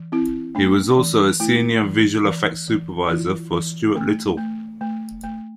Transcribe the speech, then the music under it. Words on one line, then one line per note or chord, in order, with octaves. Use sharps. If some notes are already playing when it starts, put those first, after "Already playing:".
He was also Senior Visual Effects Supervisor for "Stuart Little".
Already playing: E3
C4 E4
A3 D4
E3
A3 E4
E3
E3
E3
E4
E3 F4
E3
A3
A3
A3
A3